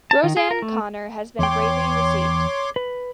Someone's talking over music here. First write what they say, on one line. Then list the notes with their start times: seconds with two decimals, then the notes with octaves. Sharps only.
Roseanne Conner has been greatly received.
0.11 A5
0.23 D#3
0.37 G#4
0.51 A#4
0.62 A3
1.39 E2 C#5 G5 C6 D6
2.76 B4